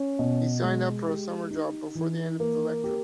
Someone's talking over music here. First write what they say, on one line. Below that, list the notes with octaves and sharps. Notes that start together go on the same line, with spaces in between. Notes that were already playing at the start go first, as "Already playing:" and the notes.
He signed up for a summer job before the end of the lecture.
Already playing: C#4
B2
G#3
G4
D#4
E3
A#3
G4